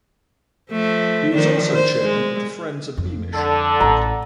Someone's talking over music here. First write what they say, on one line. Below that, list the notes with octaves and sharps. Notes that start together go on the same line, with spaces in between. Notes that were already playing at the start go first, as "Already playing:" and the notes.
He is also chairman of the Friends of Beamish.
F3 A3
D#3 F3 D4
C5
G#3
F2
D3 A4
A1 A#5